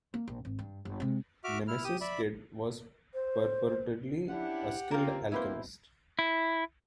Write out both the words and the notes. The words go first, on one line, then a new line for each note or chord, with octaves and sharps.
Nemesis Kid was purportedly a skilled alchemist.
A#3
A#1
G#1
G2
G1
C3 G#3
F#4 E5 D6 F6
E4 F6
G4 D#6
D5 E5 B5
C5
C#4 D4 E4 G4 F#5
A#3 C4 F4 G4 A#4
B2 A3 A#3 C4 E4 G4 B4 C5
E4